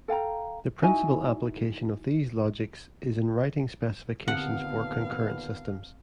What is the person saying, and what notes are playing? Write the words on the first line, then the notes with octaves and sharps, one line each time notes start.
The principal application of these logics is in writing specifications for concurrent systems.
A4 F5 G5 A#5
D#4 E4 F#4 G#5
D#2 A#2 D3 B3 C4 F5 F#5 A5